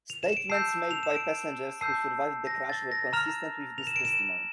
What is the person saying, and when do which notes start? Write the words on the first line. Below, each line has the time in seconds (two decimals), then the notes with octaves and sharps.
Statements made by passengers who survived the crash were consistent with this testimony.
0.10 F7
0.23 E7
0.37 D7
0.49 A5 E6 G6 C7
0.91 F7
1.03 E7
1.16 D7
1.81 A5 E6 G6 C7
2.47 A#6
2.69 A6
2.92 A#6
3.13 A#5 F6 F7
3.78 F7
3.87 E7
3.96 D7
4.05 E7